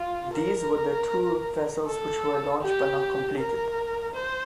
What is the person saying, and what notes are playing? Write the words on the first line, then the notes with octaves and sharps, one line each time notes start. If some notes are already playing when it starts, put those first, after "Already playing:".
These were the two vessels which were launched but not completed.
Already playing: F4
A#4
A4
G4
A#4
C5